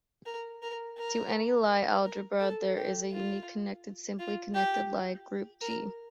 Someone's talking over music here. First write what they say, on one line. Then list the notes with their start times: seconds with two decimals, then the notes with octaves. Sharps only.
To any Lie algebra, there is a unique connected, simply connected Lie group "G".
0.26 A#4
0.62 A#4
0.98 A#4
2.05 A#4
2.40 A4
2.77 G4
3.12 F4
4.19 F4
4.55 G4
5.61 A#4